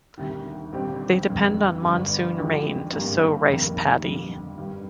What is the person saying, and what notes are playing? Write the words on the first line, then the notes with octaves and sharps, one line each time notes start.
They depend on monsoon rain to sow rice paddy.
D2 C3 D#3 G3
D#2 D3 G3 C4 G4
F1 F2 D3 G3
G1 G2 D3
D#2 D3 F3 G#3 D4
G#1 G2 D3 G3 A#3
F1 F2 C3 D#3 A#3
F2 D3 G3
G2 D#3 G3